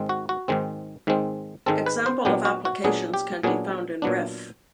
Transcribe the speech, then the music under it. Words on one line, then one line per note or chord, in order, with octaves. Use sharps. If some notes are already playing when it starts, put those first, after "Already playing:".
Example of applications can be found in Ref.
Already playing: G#2 D#3 G#3 C4
F#4
F#4
G#2 D#3 G#3 C4
G#2 D#3 G#3 C4
G#2 D#3 G#3 C4 A4
B4
C5
A#2 F#3 B3 D4 G4
F#4
F#4
A#2 F#3 B3 D4 G#4
G4
A#2 F#3 B3 D4 G#4
A#2 F#3 B3 D4